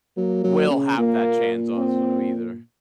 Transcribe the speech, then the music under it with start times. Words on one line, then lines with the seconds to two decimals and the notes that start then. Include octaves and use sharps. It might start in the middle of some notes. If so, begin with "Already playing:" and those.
will have that chance also, either.
0.17 F#3 A#3
0.44 F#3
0.70 C#3
0.97 A#2 A#3
1.77 C4